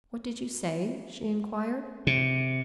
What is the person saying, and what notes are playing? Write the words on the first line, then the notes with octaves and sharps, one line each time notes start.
"What did you say?" she inquired.
C3